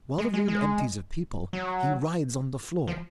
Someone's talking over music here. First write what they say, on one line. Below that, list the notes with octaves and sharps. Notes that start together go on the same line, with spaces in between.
While the room empties of people he writhes on the floor.
G#3
G#3
G#3
F#3
F3